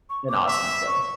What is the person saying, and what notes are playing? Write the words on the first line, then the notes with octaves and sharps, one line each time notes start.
an awesome skill.
C#6
D6
E5
C#6